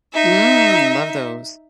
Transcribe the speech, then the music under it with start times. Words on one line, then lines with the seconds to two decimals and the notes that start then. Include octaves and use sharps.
Mm, love those.
0.13 D#4 E5